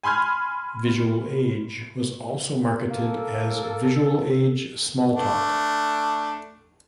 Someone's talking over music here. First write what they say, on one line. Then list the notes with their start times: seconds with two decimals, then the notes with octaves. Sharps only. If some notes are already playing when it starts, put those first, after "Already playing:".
VisualAge was also marketed as "VisualAge Smalltalk".
0.03 G#5 B5 C6 F6 G#6
2.90 A#3 A4
5.13 A3 D4